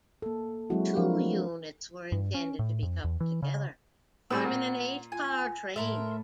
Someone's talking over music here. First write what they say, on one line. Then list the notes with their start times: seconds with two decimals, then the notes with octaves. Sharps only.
Two units were intended to be coupled together, forming an eight-car train.
0.22 A#3 A4
0.70 F#3 G#3 C4 E4 F#4
0.96 F3 D4 A#4 F5
2.12 G2
2.34 C#4
2.59 A2
2.82 F2
3.04 E2
3.20 E3
3.42 C#3
4.30 A2 G3 G#4 B5 D6 E6
4.44 A#2 F#5
5.12 F4 G#5
5.76 A2 A3 A#4 E5 C6